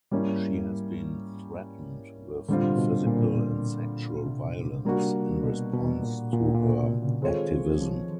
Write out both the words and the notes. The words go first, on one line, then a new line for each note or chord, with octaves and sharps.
She has been threatened with physical and sexual violence in response to her activism.
G#2 G3 A#3 C#4 E4
A2 D3 G3 C4 F4
B2
B2
A#2
A#2
C3
G3 A#3 D4 F#4
B2
B2
A#2
A#2
A#2
B2
C3
C#3
D#3 G#3 C4 F4 A4 C#5
E3
F3